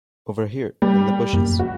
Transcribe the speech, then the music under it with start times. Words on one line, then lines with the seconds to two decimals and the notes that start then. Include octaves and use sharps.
Over here in the bushes.
0.82 G3
1.33 F1 F#2 A#3
1.59 F#4